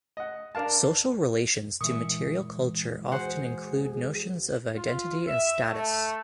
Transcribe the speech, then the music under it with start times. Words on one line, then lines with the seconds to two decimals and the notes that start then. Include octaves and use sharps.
Social relations to material culture often include notions of identity and status.
0.17 D#5 F#5
0.55 D4 A#4 F5 A5
1.81 A#2 E3 G#3 E4 C#6 D#6
3.11 F#4 G#4 C5 F#5
4.77 F4
5.28 E5
5.69 A3